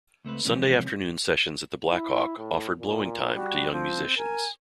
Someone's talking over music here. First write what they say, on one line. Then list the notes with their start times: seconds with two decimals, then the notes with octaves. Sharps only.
Sunday afternoon sessions at the Black Hawk offered blowing time to young musicians.
0.25 C#2 A3 C4 B4
0.45 C3 E3 F3 G#3 B3 C#4
1.89 E4
2.38 A2
2.80 A#2
3.35 G3 F#4
3.72 F3 C4
4.18 A#4 G#5